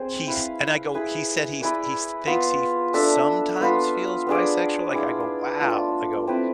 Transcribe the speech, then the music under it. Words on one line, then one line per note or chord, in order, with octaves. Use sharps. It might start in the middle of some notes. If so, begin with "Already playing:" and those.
"He's" And I go, "He said he's he's thinks he f sometimes feels bisexual?" Like I go, "Wow," I go,
Already playing: C4 G#4 C5
E4 B4 F5
E4 G#4 B4 E5
E4 G#4 B4 D5
B3 F4 B4
D4 A4 E5
B3 F4 B4
B3 D4 G#4 D5
E4 G#4 D5 F5
A3 D4 F4 A4
C4 E4 B4 D5